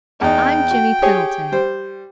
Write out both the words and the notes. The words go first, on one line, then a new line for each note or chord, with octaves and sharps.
I'm Jimmy Pendleton.
E2 D#4 G5
F#4
G4 G#4 C#5
G3 C5